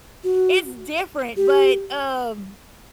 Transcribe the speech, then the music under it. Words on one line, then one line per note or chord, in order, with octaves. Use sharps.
It's different, but, um
F#4
G4